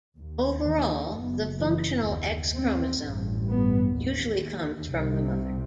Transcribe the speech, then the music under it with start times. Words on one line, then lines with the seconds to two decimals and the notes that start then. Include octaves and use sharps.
Overall, the functional X chromosome usually comes from the mother.
0.17 D#2
0.65 D#3
1.12 F#1 F#2 B3
1.59 E3
2.07 D#2 B3
2.54 C4
3.01 A1 G2
3.49 B3
3.96 D#2
4.91 C2 C3